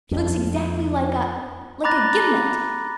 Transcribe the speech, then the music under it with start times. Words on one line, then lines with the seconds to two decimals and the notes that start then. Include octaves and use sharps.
"She looks exactly like a--like a gimlet."
0.11 F2
1.84 A#5 B5 D6 F#6 A6 A#6